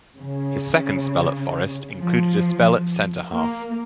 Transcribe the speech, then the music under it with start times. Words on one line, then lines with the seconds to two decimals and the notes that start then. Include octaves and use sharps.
His second spell at Forest included a spell at centre-half.
0.18 C#3
1.98 F3
3.33 A#3